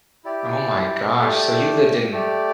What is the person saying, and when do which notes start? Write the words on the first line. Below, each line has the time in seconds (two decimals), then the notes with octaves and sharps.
Oh my gosh. So you lived in m
0.24 E4 G4 D5
1.18 A3 G4 D5
2.12 A3 G4 D5